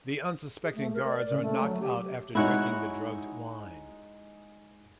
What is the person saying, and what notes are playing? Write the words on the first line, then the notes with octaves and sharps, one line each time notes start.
The unsuspecting guards are knocked out after drinking the drugged wine.
G#4
A3
A#4
D5
C#3
A3
F#3
G4
G#3 D#4 E4 F#4 C#5